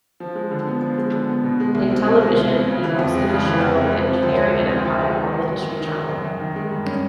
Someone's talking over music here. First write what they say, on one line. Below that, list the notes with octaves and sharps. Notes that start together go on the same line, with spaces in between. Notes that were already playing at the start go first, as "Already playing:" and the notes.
In television, he hosted the show "Engineering an Empire" on the History Channel.
F3
G#3
D3
B3
F3
G#3
D3
B3
B2
G#3
C2
C4
B2
G#3
C2
C4
C#3
E3
F2
G#3
C#3
E3
F2
G#3
C3
F3
D2
G#3
C3
F3
D2
G#3
D#3
F#3
F#2
F#2
D#3
F#3
F#2
F#2
D#3
G#3
G2
C#4